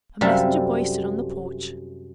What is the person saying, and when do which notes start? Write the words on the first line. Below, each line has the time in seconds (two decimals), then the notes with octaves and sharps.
A messenger boy stood on the porch.
0.21 F#2 C3 G3 A4 E5 F5